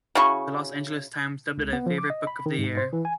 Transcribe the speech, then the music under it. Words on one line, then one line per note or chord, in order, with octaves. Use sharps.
The "Los Angeles Times" dubbed it a "favorite book of the year".
C#3 E4 F#4 C#6
C#2
B3
F3
D6
D#5
B5
D#3
G#2
C5
E3
G#5